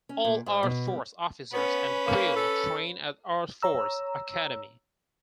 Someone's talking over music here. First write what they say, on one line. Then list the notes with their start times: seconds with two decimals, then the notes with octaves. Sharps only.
All EarthForce officers and crew train at EarthForce Academy.
0.09 C#4
0.25 A#2
0.46 G#2
0.63 B2
0.87 G3
1.53 B3 C#4 B4
2.07 A#3
2.36 A4
3.62 C#5 A#5 E6